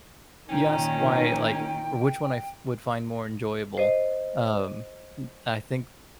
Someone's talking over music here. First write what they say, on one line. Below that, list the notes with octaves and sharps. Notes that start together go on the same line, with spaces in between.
You asked why, like, which one I f would find more enjoyable, um, m I think
A#2 D#3 C#4 D#4 G5
C5 D#5